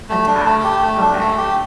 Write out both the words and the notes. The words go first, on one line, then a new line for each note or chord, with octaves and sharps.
Attached, okay.
A3
D4
A3
G4
A3
D4
A3
G4